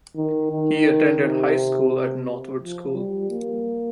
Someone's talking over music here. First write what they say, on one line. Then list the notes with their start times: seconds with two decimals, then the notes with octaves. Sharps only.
He attended high school at Northwood School.
0.17 D#3
0.52 D#3
1.21 C3
2.61 F3
2.95 G3
3.30 A#3